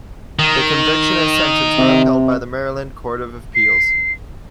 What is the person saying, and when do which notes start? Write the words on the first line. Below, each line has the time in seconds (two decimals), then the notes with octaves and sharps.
The conviction and sentence were upheld by the Maryland Court of Appeals.
0.39 D#3
1.78 C3
3.55 C7